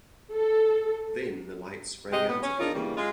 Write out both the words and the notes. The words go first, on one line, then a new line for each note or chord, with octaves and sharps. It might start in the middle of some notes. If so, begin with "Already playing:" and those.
Then the light sprang out again.
A4
C3 G#3 G4 D#5
B3
C#4
D4 D#4 F4 A#4
C#3 E3 G3 A#3
G#3 F4